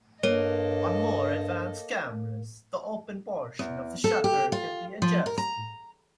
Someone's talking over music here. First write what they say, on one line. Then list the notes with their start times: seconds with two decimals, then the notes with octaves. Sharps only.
On more advanced cameras the open portion of the shutter can be adjusted.
0.23 G2 A#3 A4 C#5 D#5
3.59 E2
4.04 A4
4.24 G4
4.52 F4
5.02 F3
5.26 A#4
5.38 A#5